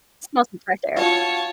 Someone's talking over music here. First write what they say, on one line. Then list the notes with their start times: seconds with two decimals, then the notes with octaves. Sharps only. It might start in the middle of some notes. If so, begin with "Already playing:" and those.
Smell some fresh air.
0.96 F4 F#4 C#5 A5